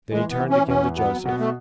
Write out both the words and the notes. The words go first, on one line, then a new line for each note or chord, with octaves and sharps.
Then he turned again to Joseph.
E3 G#3
B3
E3
C#4
E2 C#4
F#3 B3
B2 B3
A3